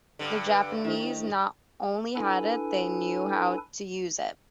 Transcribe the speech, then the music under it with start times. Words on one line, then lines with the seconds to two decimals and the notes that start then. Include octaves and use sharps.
The Japanese not only had it, they knew how to use it.
0.19 G2 D3
0.47 B4
0.84 D#3 D4 E4 C5
2.16 D4 E4 A4 B4 G#5